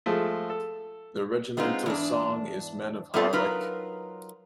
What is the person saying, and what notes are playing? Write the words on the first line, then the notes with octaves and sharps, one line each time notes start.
The regimental song is "Men of Harlech".
F3 G#3 A3
A4
G#3 B3 C4 D#4 F4
E2 G#2 D4
G3 A3 B3 C4 F4 A4
F#3 D#4 F4 A#4 B4